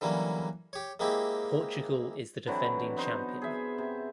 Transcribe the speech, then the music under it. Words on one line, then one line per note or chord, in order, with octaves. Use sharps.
Portugal is the defending champion.
D3 E3 F#3 G3 A#3 C#4
G4 C#5
G#3 A#3 C4 E4 G4
D3 E3 F#3 C4
B3 D#4 C5
G#4 E5
C3